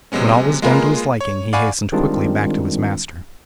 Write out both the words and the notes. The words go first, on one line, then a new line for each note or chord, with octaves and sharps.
When all was done to his liking he hastened quickly back to his master.
C3 F#3 G#3 B3 C#4
G#3 A#3 F4 G#4 A#4 B4
C#5
D5 F5 F#5 G#5 B5 C#6
D#3 G3 G#3 C4 D4 F4